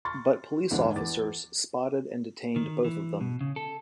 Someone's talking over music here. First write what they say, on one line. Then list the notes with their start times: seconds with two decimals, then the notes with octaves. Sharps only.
But police officers spotted and detained both of them.
0.05 C6 C#6 F6 A6
0.71 E2 G#2 D3 D4
0.96 E2 D6 A6
2.56 D#3
2.84 E3
3.21 B2
3.41 C#3
3.56 A4